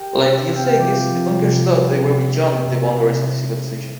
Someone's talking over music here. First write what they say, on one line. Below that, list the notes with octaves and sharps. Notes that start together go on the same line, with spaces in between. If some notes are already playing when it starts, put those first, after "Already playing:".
Like the Osages, the Bunkers thought they were beyond the boundaries of civilization.
Already playing: G4 A#4
C3 E5
E5
C4 F5
G5
F5
F3 D5
C3
C3
G3
C3
A#3 E5
C3